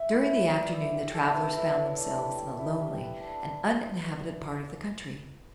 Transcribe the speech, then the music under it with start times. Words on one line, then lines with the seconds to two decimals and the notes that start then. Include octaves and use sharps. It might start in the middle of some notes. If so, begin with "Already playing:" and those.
During the afternoon the travelers found themselves in a lonely and uninhabited part of the country.
Already playing: E5
0.12 E4
0.33 B4
0.53 D5
0.74 E4
0.93 G4
1.14 A4
1.35 B3
1.56 E4
1.77 C#5
1.97 D4
2.18 G4
2.38 D5
2.59 E4
2.80 G4
3.00 B4
3.21 D4